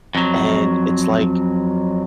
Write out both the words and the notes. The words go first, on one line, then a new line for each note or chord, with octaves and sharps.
And it's like
F2 F#3